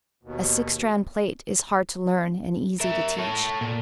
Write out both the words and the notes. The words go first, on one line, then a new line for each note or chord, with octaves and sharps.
A six-strand plait is hard to learn and easy to teach.
D#2 B2
A#4 E5
A4 C#5
A#2